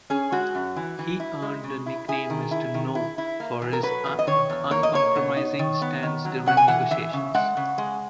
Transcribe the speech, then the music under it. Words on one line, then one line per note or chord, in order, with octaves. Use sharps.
He earned the nickname "Mr. No" for his uncompromising stance during negotiations.
C#4 G#4
G#3 F#4
F#2
E3
E3
E4
G#3
C#3
E4
E4 G#4
D#3
E4
D#3
E4
E4
A#3
E2
A#4
F#3 B4
E2
D#5
D#3 C#5
E2
A#3 C#5
D#5
A#3 C#5
B2
D#4
D#3
B3
D#3
F#3
C#3 F#5
G#5
E3 F#5
E3 E5
C#3
G#3 F#5
C#3
G#3